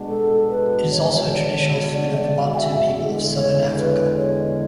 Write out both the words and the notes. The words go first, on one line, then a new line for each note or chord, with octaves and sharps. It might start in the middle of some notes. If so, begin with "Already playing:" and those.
It is also a traditional food of the Bantu people of Southern Africa.
Already playing: B2 G#3 D4 F#4
A4
B4
C#5
D5
C#5
C#5
D5
E5
D5
G#5
E5
E2 D3 G#3
C#5
B4
C#5